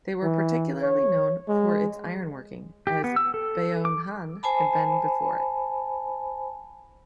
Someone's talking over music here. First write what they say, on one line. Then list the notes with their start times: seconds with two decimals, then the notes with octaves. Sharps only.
They were particularly known for its iron-working, as Byeonhan had been before it.
0.23 E3
0.82 C#5
1.48 G#3
2.87 G4
3.04 B3
3.16 E6
3.34 A4
3.85 D6
4.43 C5 G#5 A5 B5